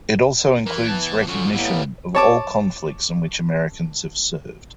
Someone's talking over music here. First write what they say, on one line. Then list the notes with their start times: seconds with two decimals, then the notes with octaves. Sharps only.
It also includes recognition of all conflicts in which Americans have served.
0.66 E3 A#4 A#5
0.89 B3 A5
1.27 D3 F3 C#4 F#4
1.52 A2 E3 G3 A#3 B3
2.15 C#5 A5 D6